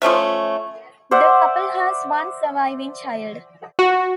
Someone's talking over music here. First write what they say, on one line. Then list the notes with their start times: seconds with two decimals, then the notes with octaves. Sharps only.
The couple has one surviving child.
0.02 F3 A3 C#4 E5
1.11 C5 D5 E5 F#5
3.79 F#4